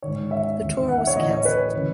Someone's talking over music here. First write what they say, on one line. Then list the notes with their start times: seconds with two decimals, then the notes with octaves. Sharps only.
The tour was cancelled.
0.02 G#2 D#3 C#5
0.31 E5
0.60 E2 D#3
0.89 F#5
0.98 E5
1.07 C#5
1.16 A2 E3 D#5
1.30 C#5
1.45 B4
1.73 C#3 E3